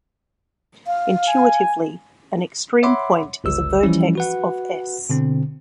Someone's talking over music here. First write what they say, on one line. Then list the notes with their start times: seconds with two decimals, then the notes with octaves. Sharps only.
Intuitively, an extreme point is a "vertex" of "S".
0.87 F5
1.28 G#5
2.83 C#5 E5 F#5 B5 C6 D6
3.44 G1 C#2 E6
3.83 E3 F3 G3 C#4 E4
4.15 F#4 B4 F#5
5.10 B2 D3 C4